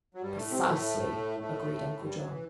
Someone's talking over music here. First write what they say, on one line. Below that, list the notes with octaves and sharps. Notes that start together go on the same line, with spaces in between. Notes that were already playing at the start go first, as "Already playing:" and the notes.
"Precisely," agreed Uncle John.
F#3
G2 G3
A2 A3
C3 C4
B3
A2 A3
A2 A3
G2 G3
F#2 F#3
E3